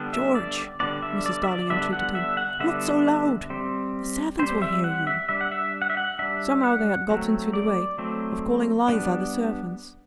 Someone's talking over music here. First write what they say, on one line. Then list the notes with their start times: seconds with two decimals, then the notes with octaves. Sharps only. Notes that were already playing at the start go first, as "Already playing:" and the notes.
"George," Mrs. Darling entreated him, "not so loud; the servants will hear you." Somehow they had got into the way of calling Liza the servants.
Already playing: D3 G3 B3 D4
0.13 E5
0.35 D5
0.80 D3 G3 B3 D4 D5
1.02 E5
1.26 D5
1.43 E5
1.48 D5
1.70 D3 G3 B3 D4 E5
1.93 F#5
2.15 E5
2.37 F#5
2.60 D3 G3 B3 D4 E5
3.50 G3 C4
4.39 G3 C4 C5
4.62 E5
4.84 F#5
5.07 E5
5.29 G3 D4 E5
5.41 F#5
5.52 E5
5.82 F#5
5.90 E5
5.97 F#5
6.19 G3 D4 E5
6.64 F#5
7.09 F#3 A3 C4
7.53 D5
7.98 F#3 A3 C4
8.88 G3 B3 D4